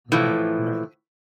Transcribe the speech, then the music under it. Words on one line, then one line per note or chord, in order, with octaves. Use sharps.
Right, right.
A2 E3 F3